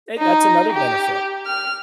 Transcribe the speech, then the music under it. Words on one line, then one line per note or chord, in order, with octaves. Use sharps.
Hey, that's another benefit.
D#4
G4
F6